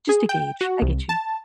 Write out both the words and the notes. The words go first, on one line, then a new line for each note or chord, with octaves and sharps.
Just to gauge. I get you.
G#4
G5
F#4
C2
A5